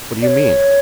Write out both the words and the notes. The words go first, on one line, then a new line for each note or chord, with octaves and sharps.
What do you mean?
D5
C#5